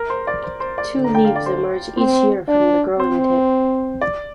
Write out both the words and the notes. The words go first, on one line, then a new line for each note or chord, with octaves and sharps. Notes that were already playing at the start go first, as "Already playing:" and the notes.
Two leaves emerge each year from the growing tip.
Already playing: A#4
C5
D5
C5
C5
D5
D3
A#5
G5
F5
D5
C5
C4 C5
D4 D5
C4 C5
D5